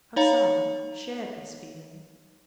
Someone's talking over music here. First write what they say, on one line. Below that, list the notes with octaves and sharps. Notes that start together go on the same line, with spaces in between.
Her son shared this feeling.
D#4 C#5 F5 A#5